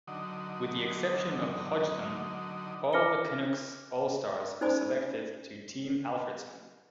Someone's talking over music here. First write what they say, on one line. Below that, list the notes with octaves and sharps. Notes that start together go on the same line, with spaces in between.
With the exception of Hodgson, all the Canucks All-Stars were selected to Team Alfredsson.
D3 F#3 D#4
D6 F6 A#6 C#7 G7
C#4 D#4 C5 D5 G#5 B5